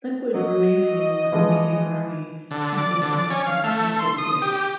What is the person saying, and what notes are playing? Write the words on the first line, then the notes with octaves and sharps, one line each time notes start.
Liquid remaining in the bouquet garni can be wrung out into the dish.
F#3 D#5
E3 F3 G#3
D3
D5
D3
D5
C#4
F5
A3
C6
D#6
G4